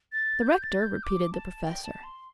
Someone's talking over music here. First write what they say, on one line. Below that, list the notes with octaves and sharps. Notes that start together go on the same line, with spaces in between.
"The rector," repeated the Professor.
A6
G6
A6
G6
D6
A5
G5
A5
C6